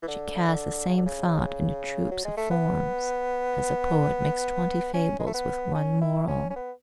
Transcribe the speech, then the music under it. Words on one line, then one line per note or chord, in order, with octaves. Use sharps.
She casts the same thought into troops of forms, as a poet makes twenty fables with one moral.
E3
D3
D3
C#3
D3
C#3
F#3
G#3
A3
B3
C#4
G#3
A3
B3
C#4
E4
C#4
C#4
B3